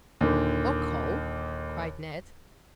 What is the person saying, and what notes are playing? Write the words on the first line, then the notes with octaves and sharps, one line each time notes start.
"Or coal," cried Ned.
D#2 A#2 D3 D#3